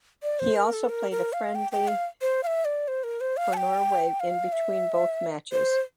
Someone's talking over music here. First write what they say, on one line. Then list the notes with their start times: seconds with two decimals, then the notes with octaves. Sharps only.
He also played a friendly for Norway in between both matches.
0.23 D5
0.39 C5
0.56 A#4
0.73 A4
0.89 A#4
1.11 A#4
1.33 F5
1.55 G5
1.72 G5
1.88 F5
2.21 C5
2.43 F5
2.47 E5
2.65 D5
2.88 C5
3.04 A#4
3.21 C5
3.37 F5
3.53 A5
3.57 G5
4.20 F5
4.52 E5
5.52 C5